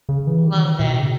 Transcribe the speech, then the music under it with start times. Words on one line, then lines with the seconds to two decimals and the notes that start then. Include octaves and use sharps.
Love that.
0.09 C#3
0.27 E3
0.45 D#3
0.79 A2
0.84 B2
0.99 C#3